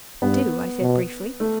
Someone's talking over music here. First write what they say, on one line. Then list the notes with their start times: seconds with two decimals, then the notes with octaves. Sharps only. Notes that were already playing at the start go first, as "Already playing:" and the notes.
"Do," I said briefly.
0.22 G2 B3
0.81 B2
1.40 A3